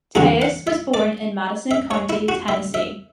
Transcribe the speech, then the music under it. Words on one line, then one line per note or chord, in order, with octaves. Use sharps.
Theus was born in Madison County, Tennessee.
E2 D3 F#3 G#4
F#5
E5
D5
E5
C#5
E4
F#4
E5
E5